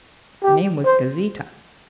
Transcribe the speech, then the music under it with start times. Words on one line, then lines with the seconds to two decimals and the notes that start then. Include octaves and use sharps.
Her name was Gauzita.
0.43 G4
0.85 C5